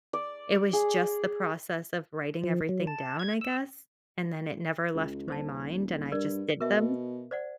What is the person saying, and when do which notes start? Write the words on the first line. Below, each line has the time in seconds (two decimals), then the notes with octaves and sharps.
it was just the process of writing everything down, I guess, and then it never left my mind, and I just did them
0.13 D5
0.73 G#4
2.44 F3
2.69 F#3
2.87 A5
3.19 G#6
3.41 E6
4.94 C#2
5.28 D#1 C5 A5
6.12 G2 A#4 D5
6.61 B2 A#4 E5
7.31 C5 D5 F#5